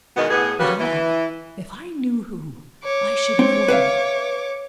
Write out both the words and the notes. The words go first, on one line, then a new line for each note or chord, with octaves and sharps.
But I--if I knew who, I should know all.
E2 B2 D#3 G#3 B3
A2 B3 G#4
C#3 G3 A#3 C#4 F#4 B4
E3
C#5 D6
C4
B4 E5 F5